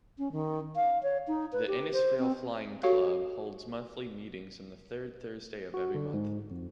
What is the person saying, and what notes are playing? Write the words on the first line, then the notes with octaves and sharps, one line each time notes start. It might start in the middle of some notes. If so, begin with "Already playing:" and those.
The Innisfail Flying Club holds monthly meetings on the third Thursday of every month.
C#4
D#3
F5
C#5
D#4
B4
G4
C5
C4
F#4 G4 A4 C#5 F5
F#4
D3
G#2
F2